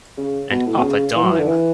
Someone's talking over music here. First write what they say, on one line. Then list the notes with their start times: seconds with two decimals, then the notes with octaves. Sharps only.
And up a dime.
0.17 C#3
0.50 B2
0.66 A2
0.77 B2
0.83 C#3
1.15 E3
1.23 F#3
1.30 E3
1.39 D3
1.47 E3